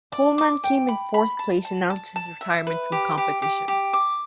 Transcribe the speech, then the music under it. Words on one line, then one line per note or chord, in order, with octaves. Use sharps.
Coleman came in fourth place and announced his retirement from competition.
D5
D6
G5
B5
B5
A5
A5
A5
A5
E5
B4
G4
G4
G4
G4
D6